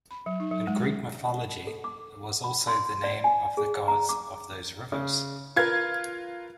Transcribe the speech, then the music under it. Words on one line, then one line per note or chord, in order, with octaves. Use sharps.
In Greek mythology, it was also the name of the gods of those rivers.
B5
F#3
D#4
F#3
G#3
G#4
A4
D6
B5
C6
D5
G#5
G#4
A#5
D6
C#3
F4 A#4 B4 G#6